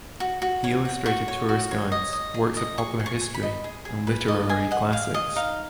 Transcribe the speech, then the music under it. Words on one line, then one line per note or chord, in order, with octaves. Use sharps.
He illustrated tourist guides, works of popular history, and literary classics.
F#4
F#4
C#5
F#4
F#4 C#6
C#5
F#4
C#5
D#5
D#5
G#4
D#5
G#4 C#6
G#4
C#6
G#4
B5
D#5
G#4
G#4
B4
D#5
G#4 G#5
D#5 F#5
G#4 F5
G#4 D#5
D#4 F5